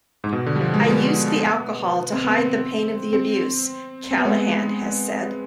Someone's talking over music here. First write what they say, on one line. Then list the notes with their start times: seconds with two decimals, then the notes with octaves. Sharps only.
"I used the alcohol to hide the pain of the abuse," Callahan has said.
0.24 G#2
0.33 B2
0.46 D3
0.56 G3
0.61 F3
0.74 G#3
0.84 G#3
0.89 B3
2.12 C4
2.25 B3
2.38 C4
3.13 C4
4.11 C4
4.18 B3
4.25 G#3